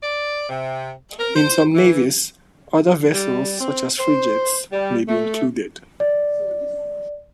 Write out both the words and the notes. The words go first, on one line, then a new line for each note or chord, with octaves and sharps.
In some navies other vessels, such as frigates, may be included.
D5
C3
A#4
C5
E3
G3
C4
C5
G3
A3
D5